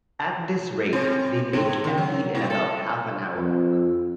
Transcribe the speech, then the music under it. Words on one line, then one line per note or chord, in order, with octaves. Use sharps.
At this rate, the lake emptied in about half an hour.
C3
G#2
D#3
F#3
B2
A4
F2